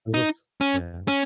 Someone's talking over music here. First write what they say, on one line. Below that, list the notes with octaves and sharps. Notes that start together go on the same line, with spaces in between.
This was Yeah.
D#4
C#4
C#4